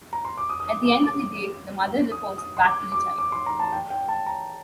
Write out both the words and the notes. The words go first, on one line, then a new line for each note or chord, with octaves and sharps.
At the end of the date the mother reports back to the child.
A#5
C6
D6
D#6
D#6
D6
D6
D6
D#6
D#6
C6
D6
D6
D6
C6
A#5
A5
G5
G5
A5
A#5